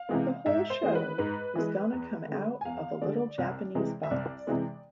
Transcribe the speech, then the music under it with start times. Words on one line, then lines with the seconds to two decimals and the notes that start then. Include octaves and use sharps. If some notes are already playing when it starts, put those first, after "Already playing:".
The whole show was gonna come out of a little Japanese box.
Already playing: F5
0.09 C3 E3 G#3
0.46 G#2 E5
0.70 C5
0.83 E3 G#3
0.95 B4
1.18 G#2 B4
1.55 E3 G#3
1.92 E2
2.28 D3 G#3
2.61 G#5
2.65 E2 F5
3.01 D3 G#3 D5
3.38 C2
3.75 C3 E3 G#3
4.03 E5
4.11 C2 D5
4.47 C3 E3 G#3